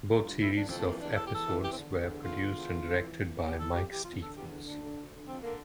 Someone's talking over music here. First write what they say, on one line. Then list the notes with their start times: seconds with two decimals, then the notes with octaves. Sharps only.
Both series of episodes were produced and directed by Mike Stephens.
0.09 G2 E4
0.24 D3 F4
0.39 F2 E4
0.54 E3 D4
0.70 F2 C4
0.79 A3
0.85 E3 A#3
1.00 E2 D4
1.15 E3 A4
1.25 G4
1.31 E2 A4
1.46 E3
1.61 E2 G4
1.72 C4
1.77 D3
1.92 E2
2.08 D3
2.22 E2 F4
2.38 D3
2.52 E2
2.68 D3
2.83 F2
2.98 E3
3.13 F2
3.28 E3
3.44 F2 G4
3.59 E3 A4
3.74 F2 G4
3.90 E3 G4
4.04 E2 F4
4.20 D3 A4
4.35 E2 G4
4.50 D3
4.65 D2 D4
4.81 D3
4.96 D2
5.11 D3
5.26 F2 C4
5.42 D3 A#3